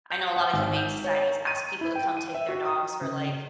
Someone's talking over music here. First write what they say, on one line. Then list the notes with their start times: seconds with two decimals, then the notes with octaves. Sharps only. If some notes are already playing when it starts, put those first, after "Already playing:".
I know a lotta humane societies ask people to come take their dogs for, like,
0.10 G6
0.36 F#5
0.53 G#1
0.77 G6
1.04 C#5
1.47 D#7
1.81 E4
1.95 G5
2.17 D#7
2.35 E5
2.49 F#4
2.65 D#6
3.01 C#3